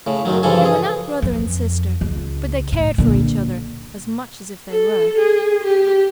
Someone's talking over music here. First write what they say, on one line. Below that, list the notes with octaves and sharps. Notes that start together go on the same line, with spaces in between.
They were not brother and sister; but they cared for each other as much as if they were.
A2 C#3
F#2 D#3 F#3
G2 C#3 E3 F3 A4 G#5
G#4
F2
C#2
A2
A#2 D3
A4
G#4
G4